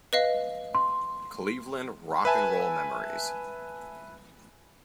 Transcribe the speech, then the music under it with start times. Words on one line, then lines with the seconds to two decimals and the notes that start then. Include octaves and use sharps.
"Cleveland Rock and Roll Memories".
0.13 B4 D#5 F5
0.75 C6
2.25 B4 E5 G#5 A5